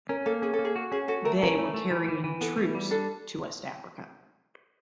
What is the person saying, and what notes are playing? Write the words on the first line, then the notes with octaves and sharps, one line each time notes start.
They were carrying troops to West Africa.
C#4 A#4
A#3 A4
C#4 G#4
A4
A#3
G#4
F#4
C#4 G#4
F#4 A4
A3 A#4
C#4 A#4
A3
A3
E3
E3
E3
B3 A4
E3
G3
D4 A4